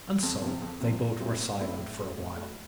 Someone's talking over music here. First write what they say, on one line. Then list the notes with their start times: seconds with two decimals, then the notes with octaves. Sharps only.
And so they both were silent for a while.
0.23 F2
0.42 C3 F3
0.62 F2
0.80 C3 F3
1.01 A#2
1.19 F#3 A3 C4 E4
1.39 A#2
1.58 F#3 A3 C4 E4
1.78 A2
1.98 F#3 A3
2.17 A2
2.37 F#3 A3